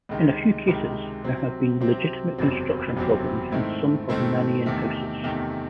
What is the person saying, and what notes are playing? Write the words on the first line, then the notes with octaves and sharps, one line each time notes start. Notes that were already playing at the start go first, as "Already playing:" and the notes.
In a few cases, there have been legitimate construction problems in some Hovnanian houses.
C#2 C3 D#3 G#3
C#2 C3 D#3 G#3
C3 F#3 C4
C3 F#3 C4
F#1 E2 C3 F#3 C4
F#1 E2 C3 F#3 C4
G#2 D#3 A3 C4 E4
G#2 D#3 A3 C4 E4
E2 C3 D#3 A3
E2 C3 D#3 A3